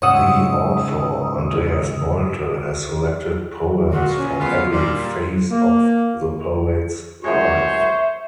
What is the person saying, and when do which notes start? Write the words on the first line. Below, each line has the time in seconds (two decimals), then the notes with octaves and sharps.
The author, Andreas Nolte, has selected poems from every phase of the poet's life.
0.02 G#2 C#3 C#5 F#5 D#6 E6
3.92 A#2 F#4
4.17 C#4
4.39 C#3 B3 F4
4.72 A#2 G3 C6
5.50 A#3
7.24 F#2 A2 G#3 C5 C#5 E5